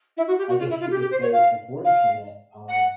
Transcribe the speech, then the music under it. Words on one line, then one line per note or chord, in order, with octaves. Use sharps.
I guess you could say before internet, um,
E4
F#4
G4
F#4
F4
E4
F4
G4
G4
C5
C#5
F5
F5
F#5